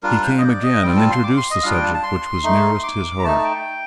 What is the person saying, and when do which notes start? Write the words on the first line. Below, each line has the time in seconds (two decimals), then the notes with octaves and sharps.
He came again, and introduced the subject which was nearest his heart.
0.03 G3 D4 F4 A#4
0.23 C5
0.38 D#5
0.42 D5
0.63 D#5
0.83 G3 C4 F4 G5
0.96 A5
1.10 C6
1.23 D6
1.37 C6
1.51 D#5
1.63 G3 D4 F4 F5
1.74 G5
1.83 A5
1.94 A5
2.03 C6
2.44 A3 D#4
2.83 D6
3.19 A#5
3.24 A3 D#4 A5
3.38 A5
3.44 G5